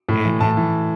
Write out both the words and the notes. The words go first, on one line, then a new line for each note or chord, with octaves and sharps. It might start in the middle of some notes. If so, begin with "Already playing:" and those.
And and
A2
E3
A2 A5
E3